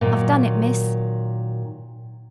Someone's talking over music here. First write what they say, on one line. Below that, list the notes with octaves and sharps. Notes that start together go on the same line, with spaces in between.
'I've done it, miss.
A#2 D3 D#3 F#3